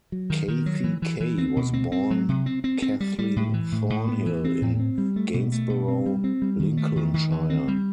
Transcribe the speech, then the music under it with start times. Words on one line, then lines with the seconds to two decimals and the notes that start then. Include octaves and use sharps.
Kathie Kay was born Kathleen Thornhill in Gainsborough, Lincolnshire.
0.12 F#3
0.30 D#3
0.48 D#3
0.66 F#3
0.84 E3
1.02 E3
1.20 E3
1.38 C4
1.57 B2
1.73 C4
1.92 C4
2.11 F#3
2.29 C3
2.46 C4
2.64 C4
2.82 C4
3.00 G3
3.19 G3
3.36 A2
3.54 E3
3.72 A2
3.90 A2
4.09 B3
4.26 E3
4.44 C4
4.62 A2
4.80 C4
4.98 G3
5.16 A3
5.34 B2
5.52 A3
5.70 B2
5.88 C4
6.06 G3
6.24 C4
6.42 G3
6.60 D#3
6.77 A3
6.96 D#3
7.14 D#3
7.32 E3
7.50 C4
7.68 G3